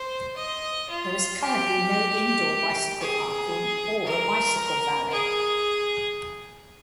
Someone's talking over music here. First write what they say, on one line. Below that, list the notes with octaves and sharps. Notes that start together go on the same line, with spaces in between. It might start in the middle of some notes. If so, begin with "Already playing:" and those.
There is currently no indoor bicycle parking or a bicycle valet.
Already playing: C5
D#5
F4
G4
G#4
A#4
G#4